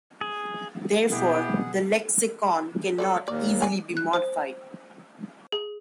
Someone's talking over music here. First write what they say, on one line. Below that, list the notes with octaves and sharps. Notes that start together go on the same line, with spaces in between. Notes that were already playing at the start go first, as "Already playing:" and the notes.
Therefore, the lexicon cannot easily be modified.
G#4
B2 E4 G4 G#4 F#5
F#3 A#3 A4 D5
D#2 A#2 D5
D5 G#5 A#5
F#6
C5
G#4